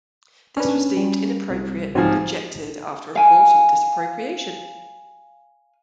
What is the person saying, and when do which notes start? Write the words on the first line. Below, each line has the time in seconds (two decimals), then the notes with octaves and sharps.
This was deemed inappropriate and rejected, after a "chorus of disapprobation".
0.57 C#4 D4 B4
0.97 G3
1.50 C2
1.95 G#2 F3 F#3 C4 G#5
3.16 F5 G#5